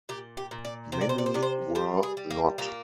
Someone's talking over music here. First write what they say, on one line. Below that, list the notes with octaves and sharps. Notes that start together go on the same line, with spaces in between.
Many were not.
A#2 G4
G4
A#2
D5
C3 C5
D5
C5
D5
C5
C3 D5
C5
G3 C5
G#4
G3
A#3
A#2 A#3